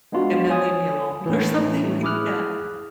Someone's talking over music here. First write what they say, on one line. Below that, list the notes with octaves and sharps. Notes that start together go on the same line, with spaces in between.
and then leave me alone or something like that.
G#3 B3 D4 F4 F#4
C#5 G#5 D#6
A2 E3
E4 G#4 D6 D#6 F6 F#6